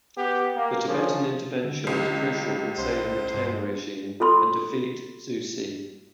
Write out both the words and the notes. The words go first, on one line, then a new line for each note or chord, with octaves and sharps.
The Tibetan intervention was crucial in saving the Tang regime and defeat Zhu Ci.
B3 G4
A#3
C#3 F3
D3
C#2 G3
B1 C5
G2
F4 A4 B5 C6